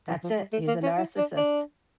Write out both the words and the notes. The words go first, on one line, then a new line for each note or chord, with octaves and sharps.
That's it, he's a narcissist.
E3
F3
G3
A3
A#3
C#4
E4
D4
D4